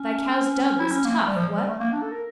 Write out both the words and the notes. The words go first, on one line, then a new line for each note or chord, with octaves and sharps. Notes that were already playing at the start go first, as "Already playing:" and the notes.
Thy cow's dug was tough, what?
Already playing: C#4
E4
C#4
A#3
A3
G3
F3
G3
A3
A#3
D4
A4
A#4